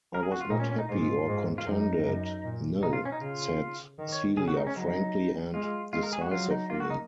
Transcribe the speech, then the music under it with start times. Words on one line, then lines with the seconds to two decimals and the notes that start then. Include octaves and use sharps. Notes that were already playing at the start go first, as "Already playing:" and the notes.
"I was not happy or contented — no," said Celia frankly and decisively.
0.15 A#4
0.23 G#4
0.32 F#4
0.41 F4
0.50 A#2 D#4
0.59 C#4
0.70 C#4
0.78 D#4
0.89 G#2 F4
1.28 G#2
1.58 F4
1.66 F#2 D#4
2.05 F#2
2.44 A#2
2.82 B2 D#4
2.93 F4
3.05 C#4
3.12 D#4
3.21 C#3 F4
3.99 D#3
4.12 C#5
4.37 C#3 G#4
4.48 F#4
4.57 D#4
4.67 C#4
4.76 F#3 D#4
5.54 G#3 F4
5.93 G#3 F4
6.03 A#4
6.13 G#4
6.21 F#4
6.31 F#3 F4
6.51 D#4
6.70 A#3 F4
6.80 F#4
6.90 D#4